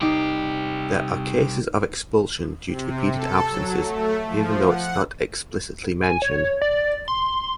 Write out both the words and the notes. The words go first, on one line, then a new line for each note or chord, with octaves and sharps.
There are cases of expulsion due to repeated absences, even though it’s not explicitly mentioned.
C2 D#4 G4 D6 C7
C3
A4
F#3
A3
F3
F#5
G#5
C#5
D5
C6